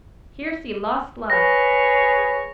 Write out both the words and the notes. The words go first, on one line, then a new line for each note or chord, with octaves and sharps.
Here see lost love.
G#4 B4 C#5 A#6